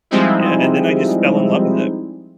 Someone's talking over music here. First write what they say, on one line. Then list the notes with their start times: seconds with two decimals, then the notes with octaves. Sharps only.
Yeah, and then I just fell in love with it.
0.11 F3 G3 G#3 C4 D#4 E4